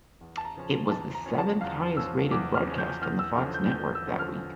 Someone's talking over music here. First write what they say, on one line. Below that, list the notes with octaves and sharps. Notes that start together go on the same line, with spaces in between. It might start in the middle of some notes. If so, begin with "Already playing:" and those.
It was the seventh highest-rated broadcast on the Fox network that week.
E2
A5
A#5
C#3 F3 C#4
E2 A5
A#5
C#3 F3 C#4
A5
E2 F5
C#3 F3 C#4 E6
E2 D6
F6
C#3 F3 C#4
G6
E2 F6
E6
D3 F3 C#4 F6
G6
E2 G6
E6
D3 F3 C#4
F6